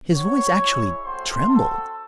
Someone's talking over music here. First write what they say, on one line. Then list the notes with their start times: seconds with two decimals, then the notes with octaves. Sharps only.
His voice actually trembled.
0.12 C4 F#4 C#5 C#6
0.58 G#3 C#4 E4
1.03 A3 C4 F#4 C5 C6
1.48 C4 F#4 A4 A5